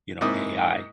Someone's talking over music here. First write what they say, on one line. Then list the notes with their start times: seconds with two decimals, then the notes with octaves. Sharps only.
you know, AI
0.21 G#2 C3 A#3 E4 D6 D#6